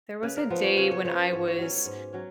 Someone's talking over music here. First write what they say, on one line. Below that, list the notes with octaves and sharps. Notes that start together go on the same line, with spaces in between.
There was a day when I was
C#3 B4
A#4
F3 B3
C#5
C#3 C#5
C#5
F3 B3 C#5
C#5
G#2 C#5
C#5
F#3 C#4 C#5
C#5
G#2
F#3 C#4